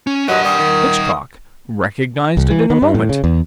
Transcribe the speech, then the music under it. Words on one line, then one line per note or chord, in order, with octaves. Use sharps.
Hitchcock recognized it in a moment.
C#4
G2 F#3 A#4 D#5 F#5
G2 D#3 G3 D#6
D#3
C2
E3
D#3
G2
A2
C#3
E2